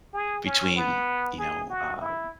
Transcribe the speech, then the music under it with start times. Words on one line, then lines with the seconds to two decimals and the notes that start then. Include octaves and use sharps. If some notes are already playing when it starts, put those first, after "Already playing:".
between, you know, um,
0.14 G#4
0.45 C#4
0.76 B3
1.38 G#4
1.70 F#4
2.01 E4